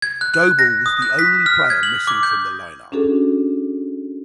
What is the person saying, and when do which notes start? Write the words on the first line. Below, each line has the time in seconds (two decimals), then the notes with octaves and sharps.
Doble was the only player missing from the line-up.
0.02 G#6
0.21 F#6
0.34 F#6
0.59 A#6
0.86 D#6
1.02 F#6
1.19 B6
1.46 F6
1.70 G#6
1.83 F#7
2.07 D6
2.23 G6
2.92 C#4 D4 F#4 G#4 A4